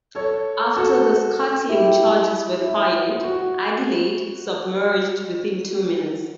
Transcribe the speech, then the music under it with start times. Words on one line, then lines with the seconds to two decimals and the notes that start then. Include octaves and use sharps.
After the scuttling charges were fired, "Adelaide" submerged within two minutes.
0.15 A4 C#5
0.77 F#4 A4
1.69 E4 G4
2.62 E4
3.24 F#4